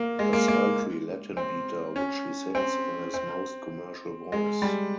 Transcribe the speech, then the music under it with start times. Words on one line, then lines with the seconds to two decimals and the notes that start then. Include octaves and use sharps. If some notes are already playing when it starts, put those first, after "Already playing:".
A sultry Latin beater which he sings in his most commercial voice.
Already playing: A#3
0.19 G#3
0.33 A#3
0.48 A#3
1.37 C4
1.96 C#4
2.55 C4
3.14 C4
4.32 G#3
4.62 G3